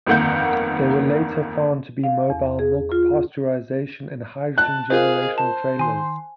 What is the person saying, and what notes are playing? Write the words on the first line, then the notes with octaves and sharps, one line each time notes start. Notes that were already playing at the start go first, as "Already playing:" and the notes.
They were later found to be mobile milk pasteurization and hydrogen generation trailers.
G1 F2 D#3 A#3 F#5 G6
F5
E2
G#4
F4
A5 F#6
F4 G#4 A#4 C5 D#5 F5
C5 A5
D#3 G#5 C6